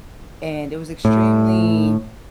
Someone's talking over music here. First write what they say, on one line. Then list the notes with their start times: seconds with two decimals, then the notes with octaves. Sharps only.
and it was extremely
1.05 A2